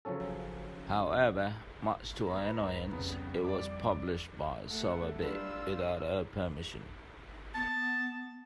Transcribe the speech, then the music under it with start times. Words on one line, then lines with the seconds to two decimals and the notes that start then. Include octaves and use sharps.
However, much to her annoyance, it was published by Sowerby without her permission.
0.05 C#3 F3 F#3 C#4 A4
2.27 B3 A#5 B5
2.61 C#2
2.92 F2 C#3 G3 B3
3.44 D5 D6
4.69 A3 F#5
5.22 G3 D4 F4 B4 E6
7.54 B3 A5